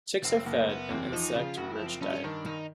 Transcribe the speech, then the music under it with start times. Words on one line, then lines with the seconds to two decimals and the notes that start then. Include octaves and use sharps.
Chicks are fed an insect rich diet.
0.24 F#1 C4
0.46 F#1 A#3
0.68 F#1 B3
0.90 E2 C4
1.12 F3 D#4
1.35 C#3 F4
1.57 F#1 F#4
1.72 E4
1.80 F3
1.87 C4
2.01 G2 C#4
2.24 D#3 D4
2.46 D#3 D#4